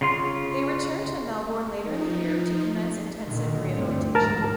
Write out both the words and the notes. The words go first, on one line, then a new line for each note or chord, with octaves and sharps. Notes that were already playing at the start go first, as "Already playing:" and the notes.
They returned to Melbourne later in the year to commence intensive rehabilitation.
C#3 F4 C6
F3 D#4
A#2 D3 D#3
D2 G2 C4
G#2 D#3 F3 A#4 A5